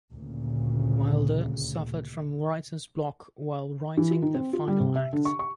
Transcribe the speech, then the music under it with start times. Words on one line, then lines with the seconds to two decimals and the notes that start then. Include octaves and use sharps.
Wilder suffered from writer's block while writing the final act.
0.13 D2 A#2 C#3
3.97 E3
4.11 F4
4.22 D#3
4.35 C4
4.53 F4
4.68 G3
4.80 C3
4.96 E5
5.13 D3
5.25 C#6
5.39 C#6